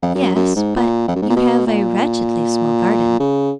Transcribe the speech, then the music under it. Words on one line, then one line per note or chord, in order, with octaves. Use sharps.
"Yes; but you have a wretchedly small garden."
F2
F#2
F#2
G#2
A#2
F2
F#2
G#2
A#2
B2
A#2
C#3